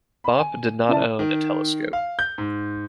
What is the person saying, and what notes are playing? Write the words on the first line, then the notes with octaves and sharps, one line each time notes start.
Bopp did not own a telescope.
B5
G#5
C#3 E4 D5 A5
D#3
F5
G6
G#2